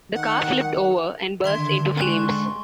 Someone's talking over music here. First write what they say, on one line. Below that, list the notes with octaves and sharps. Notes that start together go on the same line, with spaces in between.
The car flipped over, and burst into flames.
D#3 F#5
D3 D#3 E5 C6 G#6
G#3 G5 G#5 C6 C#6 F#6